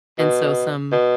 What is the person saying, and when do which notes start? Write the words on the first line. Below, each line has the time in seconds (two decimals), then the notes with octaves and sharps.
And so some
0.19 B2
0.92 B2